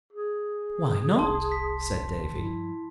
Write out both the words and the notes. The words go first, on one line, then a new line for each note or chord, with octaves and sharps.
"Why not?" said Davy.
G#4
F1 C2 A5 C6
B6
G2 F3 E4